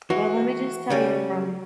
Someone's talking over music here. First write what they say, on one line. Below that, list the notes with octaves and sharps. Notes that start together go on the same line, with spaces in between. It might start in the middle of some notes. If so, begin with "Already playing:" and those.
Well, let me just tell you from
E3 F#4
C#3 G3 C#4